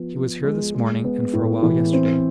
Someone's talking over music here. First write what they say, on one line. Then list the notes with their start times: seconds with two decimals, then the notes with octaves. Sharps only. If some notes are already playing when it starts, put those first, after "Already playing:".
"He was here this morning and for a while yesterday."
Already playing: F3 B3
0.14 F3
0.44 G#3
0.75 G#3
1.04 B3
1.33 A2
1.63 E3
1.93 C4